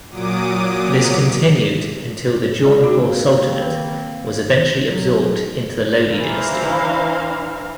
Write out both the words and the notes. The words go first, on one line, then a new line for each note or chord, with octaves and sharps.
This continued until the Jaunpur Sultanate was eventually absorbed into the Lodi dynasty.
A#2 F#3 D6 D#6
G#3 F4 D5
A#3 C4 D#4 F#4 G#4
D#3 B4
F#3
E3 D4 E4 C5 F5 A#5